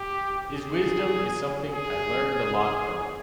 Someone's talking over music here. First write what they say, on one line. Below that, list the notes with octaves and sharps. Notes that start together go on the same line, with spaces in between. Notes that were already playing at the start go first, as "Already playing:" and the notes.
His wisdom is something I learned a lot from.
Already playing: G4
G#4
G#4